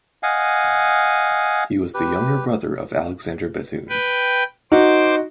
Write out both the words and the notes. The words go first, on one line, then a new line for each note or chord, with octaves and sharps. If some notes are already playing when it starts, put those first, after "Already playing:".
He was the younger brother of Alexander Bethune.
D#5 F5 F#5 G#5
G4 B4
B4 G5
D#4 F#4 C5 D6